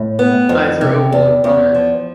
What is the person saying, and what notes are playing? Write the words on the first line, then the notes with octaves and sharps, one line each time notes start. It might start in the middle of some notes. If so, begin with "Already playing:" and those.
Eyes are oval and prominent.
Already playing: A2
B3
F2
C3
E2
E2
F3